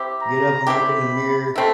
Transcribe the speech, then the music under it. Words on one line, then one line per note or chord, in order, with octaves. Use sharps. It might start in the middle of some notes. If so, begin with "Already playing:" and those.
get up and look in the mirror,
Already playing: C4 E4 G4
A#5
C4 E4 G4 B5
A3 C4 E4